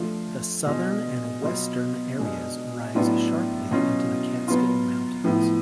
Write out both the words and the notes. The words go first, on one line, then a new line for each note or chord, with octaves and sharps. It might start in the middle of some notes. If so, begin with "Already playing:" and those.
The southern and western areas rise sharply into the Catskill Mountains.
Already playing: F3 A3 D4 F4
B2 G#3 D4 F4
B2 F#3 B3 F4
B2 G#3 D4
A2 F#3 B3 D4 F4
B2 F#3 C#4 F4
F#3 B3 F4
A2 F3 B3